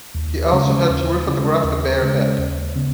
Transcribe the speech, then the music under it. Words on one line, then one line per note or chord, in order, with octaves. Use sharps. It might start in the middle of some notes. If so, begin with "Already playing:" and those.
He also had to re-photograph the bear head.
D#2
C#3 G#3 C#4
D#2
C#3 G#3 C#4
D#2
C#3 G#3 C#4
D#2
C#3 B3